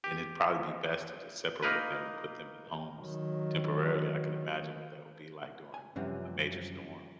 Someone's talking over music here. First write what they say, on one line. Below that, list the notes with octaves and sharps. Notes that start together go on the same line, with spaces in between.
and it'd probably be best to just separate them, and put them in homes temporarily, I can imagine what that would be like during a major storm.
G4
A#3 D#4 A#4 B4
D#3 F#3
G#5
F#2 C3 E3 F3 G3 C#4